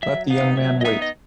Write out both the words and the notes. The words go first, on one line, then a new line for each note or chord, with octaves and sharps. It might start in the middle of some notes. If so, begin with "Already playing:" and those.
Let the young man wait.
F#3 E5
B3 D#4 F5
F#3 E5
D#5
B3 D#4 E5
D#5